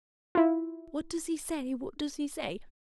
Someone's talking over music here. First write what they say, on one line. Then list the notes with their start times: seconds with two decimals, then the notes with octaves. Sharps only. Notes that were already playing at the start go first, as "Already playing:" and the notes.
'What does he say, what does he say?
0.35 E4 F4